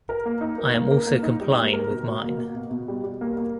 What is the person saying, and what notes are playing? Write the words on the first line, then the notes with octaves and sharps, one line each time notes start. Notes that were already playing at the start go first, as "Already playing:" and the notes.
I am also complying with mine.
A#4
A#3
D#4
A#4
A#3
A#4
A#3
D#4
G3
A#3
A#4
B2
B2
A#3
B2
B2
B2
G3
G3
A#3
A#3